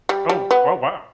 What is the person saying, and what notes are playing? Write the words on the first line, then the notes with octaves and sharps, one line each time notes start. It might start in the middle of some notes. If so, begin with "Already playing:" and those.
Oh, oh, wow.
G3
G3
B3